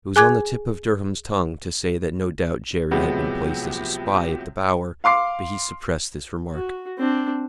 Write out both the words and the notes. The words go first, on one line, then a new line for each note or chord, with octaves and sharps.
It was on the tip of Durham's tongue to say that no doubt Jerry had been placed as a spy at the Bower, but he suppressed this remark.
G#4 G#5 D6 F#6 G#6
A2 C3 F3 F#3 G#3 B3
F5 C6 D6 C7
F#4
C4 D4